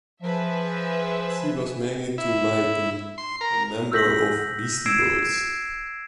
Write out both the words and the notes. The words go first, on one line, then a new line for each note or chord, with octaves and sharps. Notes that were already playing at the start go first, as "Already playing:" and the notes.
She was married to Mike D, a member of Beastie Boys.
F3 G#4 B4 E5
E4
C6
A#4
E6 F6 G6 A#6 B6 F#7
E6 G#6 C7 D7 E7